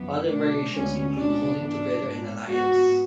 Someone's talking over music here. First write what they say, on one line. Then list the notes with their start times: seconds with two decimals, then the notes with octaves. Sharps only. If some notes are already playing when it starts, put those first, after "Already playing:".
Other variations include "holding together" and "alliance".
Already playing: F#2 E3 B3
0.29 B2 A3 D4
0.73 D2 D3 G#3 B3 C#4
1.17 B2 G#3 B3 D4
1.60 G#2 E3 B3 D4
2.04 G#2 G#3 B3
2.47 G#2 G#3 B3 F#4